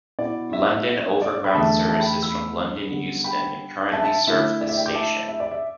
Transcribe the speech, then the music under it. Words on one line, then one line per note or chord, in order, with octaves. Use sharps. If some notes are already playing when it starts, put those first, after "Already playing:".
London Overground services from London Euston currently serve this station.
B2 B3 E4 D5
E5
D5
G5 B5
E2 D3 A3 E5 A5
E5 A5
G5 B5
B5 E6
D3 G3 B3
G5 B5
E5 A5
E5 A5
D3 A3 E4 E5
D5
E5
D5 G5
D6 G6
E5 A5
E5
D5
E5